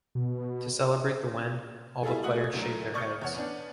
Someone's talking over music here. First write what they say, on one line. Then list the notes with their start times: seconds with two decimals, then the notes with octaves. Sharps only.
To celebrate the win, all the players shaved their heads.
0.15 B2
2.03 G3 E4 F4 G#4 A4
2.23 A3 F#4 D#6 F#7
2.53 D2 F#3 A3 A#4
2.94 D5 C#6 D#6 F6 G6 C#7
3.22 E2 C#5 F#5
3.34 B3 C#4 D4